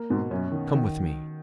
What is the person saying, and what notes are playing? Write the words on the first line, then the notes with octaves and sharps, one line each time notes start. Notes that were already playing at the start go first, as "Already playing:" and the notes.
Come with me.'
Already playing: A#3
G#2 B2
F#2 C#4
D#3
D#3